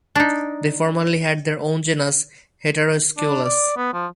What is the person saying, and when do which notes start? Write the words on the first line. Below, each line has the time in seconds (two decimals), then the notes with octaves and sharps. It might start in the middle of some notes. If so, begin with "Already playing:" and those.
They formerly had their own genus, "Heteroscelus".
0.15 D4 D#4
3.17 D4
3.44 D5
3.77 B3
3.93 F3